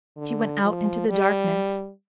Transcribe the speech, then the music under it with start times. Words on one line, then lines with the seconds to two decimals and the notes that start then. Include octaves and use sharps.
She went out into the darkness.
0.17 D3
0.63 F3
1.08 G3